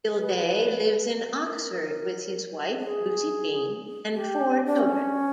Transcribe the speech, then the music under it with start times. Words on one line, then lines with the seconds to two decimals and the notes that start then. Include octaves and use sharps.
Gildea lives in Oxford with his wife, Lucy-Jean, and four children.
0.16 B4
1.48 A#4
2.80 G#4
4.13 G4
4.66 D4
4.78 C#4